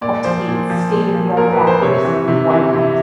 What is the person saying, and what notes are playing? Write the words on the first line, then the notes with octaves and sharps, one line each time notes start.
Up to eight state-of-the-art factories in one place.
A#2 D5
F3 C5
A#2
F3
A#2
F3
A#2 A#4
B4
F3
C5
C3 C#5
E3
C3
E3
C3